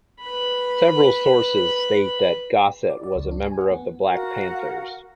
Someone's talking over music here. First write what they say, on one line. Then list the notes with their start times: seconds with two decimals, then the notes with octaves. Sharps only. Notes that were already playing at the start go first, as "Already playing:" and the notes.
Several sources state that Gossett was a member of the Black Panthers.
0.20 B4 B5
2.90 D5
3.03 D5
3.16 C#2
3.31 D4
3.45 G#5
3.59 F#5
3.71 B3
4.08 F#4 A#4 F5 F#5